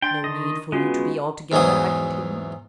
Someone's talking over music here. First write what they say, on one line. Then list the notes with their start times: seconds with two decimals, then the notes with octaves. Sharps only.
"No need for you to be, altogether!" I continued.
0.02 D4 G5 C6 A6
0.24 D#3 D#5
0.72 G#3 B3 C#4 F4 F#4
1.52 E2 G#2 E3 F#3 D#6